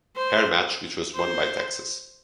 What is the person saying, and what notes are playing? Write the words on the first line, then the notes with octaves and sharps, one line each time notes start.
Hair match which was won by Texas.
C5
C5